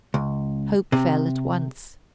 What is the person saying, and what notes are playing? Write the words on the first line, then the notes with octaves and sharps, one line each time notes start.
Hope fell at once.
C#2
C3